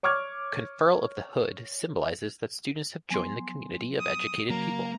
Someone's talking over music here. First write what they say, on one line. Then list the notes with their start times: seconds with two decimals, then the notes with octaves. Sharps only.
Conferral of the hood symbolizes that students have joined the community of educated people.
0.03 C#5 C#6 D6 F6 G#6
3.10 F3 F#3 B3 G#5 C6
4.00 D#6
4.50 C#3 F#3 A#3 A#4 A#5